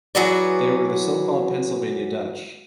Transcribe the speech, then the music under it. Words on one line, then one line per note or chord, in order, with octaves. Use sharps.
They were the so-called Pennsylvania Dutch.
E3 F#3 F#4 G#4 B4 D5